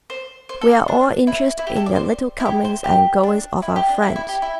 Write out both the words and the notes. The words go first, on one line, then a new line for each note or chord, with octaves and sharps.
We are all interested in the little comings and goings of our friends.
C5
C5
A4
D4
E4
E4
G4
A4
D5
C5
E4
G4
C5
G4
D4
E4
G4
D4
E4
E4
G4
E4